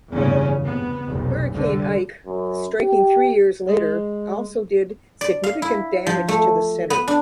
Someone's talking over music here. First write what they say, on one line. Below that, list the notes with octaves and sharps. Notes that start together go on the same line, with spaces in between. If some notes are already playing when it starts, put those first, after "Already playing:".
Hurricane Ike, striking three years later, also did significant damage to the Center.
F1 E2 G2 C#3 C#4
C3 B3
F1 B1
C2 D3 G3
F#2
G4
G#3
D5
F5
E4
F3
A3
B3
D4